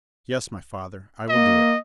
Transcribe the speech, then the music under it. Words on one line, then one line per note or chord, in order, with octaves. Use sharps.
"Yes, my father, I will do it."
A#3 D#5